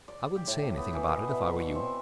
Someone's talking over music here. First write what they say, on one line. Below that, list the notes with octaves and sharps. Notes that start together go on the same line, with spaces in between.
I wouldn't say anything about it if I were you.
D5
G4
A2
B3
E3
B2
E5
D6
C#6
C4